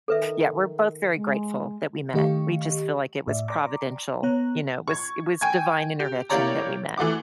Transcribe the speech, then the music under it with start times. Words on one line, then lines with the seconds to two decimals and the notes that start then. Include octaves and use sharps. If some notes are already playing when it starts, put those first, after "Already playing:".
Yeah. We're both very grateful that we met. We just feel like it was providential. You know? It was it was divine intervention that we met.
0.08 D#3 A4 B4 E5
1.15 G#3
2.14 D#3 A3 G4 D#5 F5 C#6
3.27 A2 D5 E5
3.48 D5 A#5 C6 D6
4.23 B3 C#5 A#5 F#6
4.88 C#6 G#6
5.41 G5 G#5 C#6 G#6
6.00 G4
6.30 A#3 E4 G4 C#5 D5 A#5
6.98 E3 A3 F#4 D6